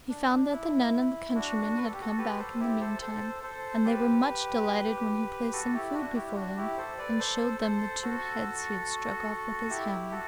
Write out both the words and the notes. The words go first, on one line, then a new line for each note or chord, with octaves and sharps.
He found that the nun and the countryman had come back in the meantime, and they were much delighted when he placed some food before them, and showed them the two heads he had struck off with his hammer.
D4
E4
D4 F#4
B4
A4
G4
F#4 A4
G4 B4
A4 C5
E4 G4
A4 C5
A4 C5
A4 C5
G4 B4
F#4 A4
E4 G4
D4 F#4
E4 G4
D4 F#4
E4 G4
A4 C5
B4 D5
A4 C5
A4 C5
F#4 A4
E4 G4
F#4 A4